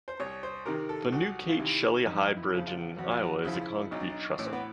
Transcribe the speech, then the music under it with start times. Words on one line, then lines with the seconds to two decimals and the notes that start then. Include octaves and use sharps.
The new Kate Shelley High Bridge in Iowa is a concrete trestle.
0.08 C5
0.20 C2 C#5
0.43 C5
0.66 C3 D#3 A#4
0.89 A4
1.12 C2 F#4
1.49 F4
1.59 C3 D#3 E4
2.06 F2 D#4
2.37 E4
2.53 C#3 F3
2.67 F4
2.98 F2 F#4
3.11 F4
3.23 F#4
3.45 C#3 F3 E4
3.53 F4
3.61 E4
3.92 B1 D#4
4.00 D4
4.10 D#4
4.39 A2 E3 C#4
4.45 C4
4.53 B3